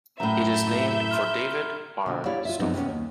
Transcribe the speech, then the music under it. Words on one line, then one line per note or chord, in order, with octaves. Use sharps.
It is named for David R. Stopher.
F#2 A2 E5 A#5 B5 G6
C6 F6
B2 D3
E4 G4 C#5 D5 F5
F4 E5
F#2 F3 A3 B3 C4 D#4
C3 A#3 B3 C#4
D#2